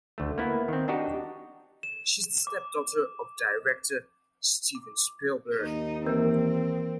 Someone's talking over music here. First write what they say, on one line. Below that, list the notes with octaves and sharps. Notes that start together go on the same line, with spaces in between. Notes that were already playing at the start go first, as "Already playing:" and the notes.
She is the stepdaughter of director Steven Spielberg.
D2 A3
A#3 B3 E4
D#3 C4
D4 D#4 F#4 G4 D#5
E7
D6
D6
D#2 D#4
E3 A#3 C4 A#4